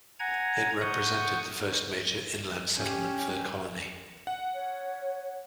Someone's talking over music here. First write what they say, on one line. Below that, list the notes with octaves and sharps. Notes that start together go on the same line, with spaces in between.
It represented the first major inland settlement for the colony.
F#5 G#5 A#5 G#6
F#5 C#6 D#6 G6
C#4 G4
F#5
C#5